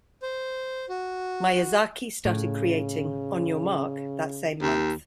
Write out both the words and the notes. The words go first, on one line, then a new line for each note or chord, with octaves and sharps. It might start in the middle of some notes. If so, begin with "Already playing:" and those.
Miyazaki started creating "On Your Mark" that same month.
C5
F#4
A2 C#3
D#2